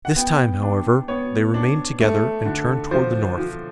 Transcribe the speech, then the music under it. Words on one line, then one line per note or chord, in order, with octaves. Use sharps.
This time, however, they remained together and turned toward the north.
F#5
B3 G5
D4
B3 C#5
D4
A3
D3
F3 C5
F3